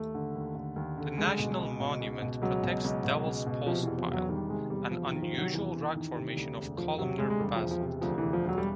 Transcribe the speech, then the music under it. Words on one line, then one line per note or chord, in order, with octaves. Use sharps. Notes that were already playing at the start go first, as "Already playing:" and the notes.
The national monument protects Devils Postpile, an unusual rock formation of columnar basalt.
Already playing: D#2 A3
D3
D#2
D3
D#2
D3
C#2 G#3
B2
C#2
B2
C#2
B2
C#2 F#3
B2
C#2
B2
C#2
B2
C3 F3
E2 E3
F3
E1
F#3
D#3 G3
C3 G#3
E2 G3
E1 F3
F3
D#3
F3
C3
F#3
E2 E3
E1
D#3
C3
D2
E1
E1 F3
C3 F#3
D2 G#3
G#3
E1 G3
E1 F3
F3
C3
D2 F3
E1 E3
F3
E1 F#3
G3